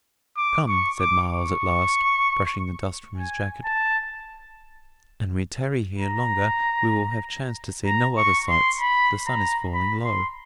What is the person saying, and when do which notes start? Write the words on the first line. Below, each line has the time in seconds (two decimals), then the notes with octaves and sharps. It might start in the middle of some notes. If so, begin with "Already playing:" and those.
"Come," said Myles at last, brushing the dust from his jacket, "an we tarry here longer we will have chance to see no other sights; the sun is falling low."
0.37 D6
0.68 C#6
1.00 D6
1.30 C#6
3.18 G#5
3.65 A5
5.99 A#5
7.86 A#5
8.17 C#6
8.49 C6
8.81 B5
9.27 A#5
9.74 B5
10.05 C6